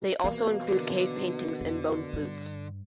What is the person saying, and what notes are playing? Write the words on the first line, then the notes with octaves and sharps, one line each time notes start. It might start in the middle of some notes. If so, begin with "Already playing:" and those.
They also include cave paintings and bone flutes.
B2 E3 A#3
D3
F2
G2